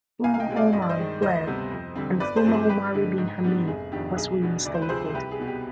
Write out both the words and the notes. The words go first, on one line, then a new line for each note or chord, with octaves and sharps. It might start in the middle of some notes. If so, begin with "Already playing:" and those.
Fumo Oman fled and Fumo 'Umari bin Hamid was reinstated.
C2 F5 G#5
F5
D#5 G5
B2 G#3 C4
D5 F5
G2 D#5
D5
C5 D#5
D#3 G#3
D2 C5 D#5
C3 G3 B3
F2
D3 G3 C4
G1 B4 D5
G#4 C5
G2 F3 C4
G#4
G2 G4 B4
D3 G#3 D4
G#2
G3 B3 D4
F1 G#4
F2 D#3 B3 D4 G4
B1 G#4
B2 B3 D4
D2 D5
C5
B4
C3 F3 C4 G#4 C5
C2 G4 B4
G#4
B2 B3
G4